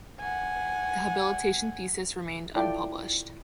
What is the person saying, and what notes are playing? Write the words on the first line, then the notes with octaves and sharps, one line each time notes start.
The habilitation thesis remained unpublished.
F#5 G#5
E4 F4 A4 D5 G5 A5